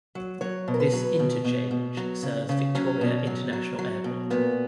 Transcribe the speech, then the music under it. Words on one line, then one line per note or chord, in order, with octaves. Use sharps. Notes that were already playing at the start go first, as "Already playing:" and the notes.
This interchange serves Victoria International Airport.
F#3
F#3 C#5
B2
A#4
B4
F#3
B2
B2
B2
F#3
C#3
C#3
F#3 C#4
B2
F#3
F#3
F#3
B2
A#2 B3